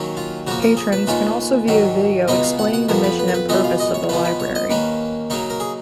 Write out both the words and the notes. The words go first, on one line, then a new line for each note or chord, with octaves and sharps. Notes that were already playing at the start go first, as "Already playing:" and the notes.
Patrons can also view a video explaining the mission and purpose of the Library.
Already playing: D#2 D#3 F#3 C#4
F4
C#3 F3 A#3 F#4
A#4
G#4
B4
D#2 C#3 G#3 C#4 F4
G#2 D#3 F#3 C#4
C#2 B2 G#3 B3 D#4 D#5
F5
F#5
F#5
F2 F3 B3 A#4
B4
B4
A#4
B4
F#2 C#3 G#3 B3 F4 D#5
F5
D#5
C#5
C#3 F3 G#3 B3 B4
B4
C#5
D#5
D#2 D#3 A#3 C#4 B4
C#3 F#3 A#3 D#4 C#5
A#4
G#4